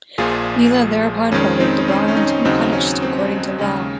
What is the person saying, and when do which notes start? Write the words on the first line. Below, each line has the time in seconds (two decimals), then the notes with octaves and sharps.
Nila thereupon ordered the Brahman to be punished according to law.
0.18 A#1 A#2 F3 F4 G#4
1.32 F2 D#3 G#3 C#4
1.60 C4 D#4
1.88 C#4
2.08 C#4
2.17 D#4
2.26 C#4
2.45 D#2 C#3 F#3 C4 D#4
2.73 C#4
3.02 C4
3.58 D#2 C#3 G#3 C#4